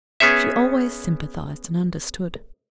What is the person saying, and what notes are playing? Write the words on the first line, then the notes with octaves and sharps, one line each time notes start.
She always sympathized and understood.
B3 C#4 G#4 C#5 E5